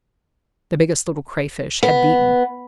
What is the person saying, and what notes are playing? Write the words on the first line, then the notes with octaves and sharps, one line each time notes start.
The Biggest Little Crayfish had beaten.
B3